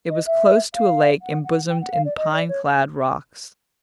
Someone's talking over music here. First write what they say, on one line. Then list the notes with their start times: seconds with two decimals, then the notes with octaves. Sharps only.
It was close to a lake embosomed in pine-clad rocks.
0.09 D#5
0.26 E5
0.74 F5
1.21 F#5
1.44 F#5
1.69 G5
1.81 F#5
1.92 F5
2.05 D5
2.17 D#5
2.32 D5
2.48 C#5